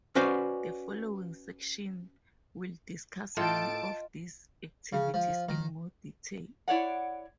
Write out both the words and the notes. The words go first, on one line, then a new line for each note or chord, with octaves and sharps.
The following section will discuss many of these activities in more detail.
C#4 F#4 B4 C5 D5
A2 F4 A4 D#5 G5 A5 D7
C#3
F3
D#3
E4 C#5 D5 F#5